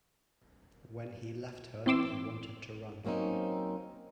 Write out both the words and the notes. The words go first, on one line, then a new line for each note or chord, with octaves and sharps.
When he left her, he wanted to run.
E3 C4 C6 D6 E6
F#3 A#3 C4 C#4 D#4